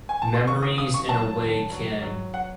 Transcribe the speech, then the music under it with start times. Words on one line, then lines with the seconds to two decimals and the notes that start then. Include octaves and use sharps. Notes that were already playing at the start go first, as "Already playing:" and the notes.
memories in a way can
0.09 G#5
0.22 A5
0.34 C6
0.47 D#2 C#6
0.63 D#6
0.78 C#3 D#6
0.94 C#6
1.09 F#3 A5
1.40 D#3
1.71 F#3
2.02 F#3
2.34 F#5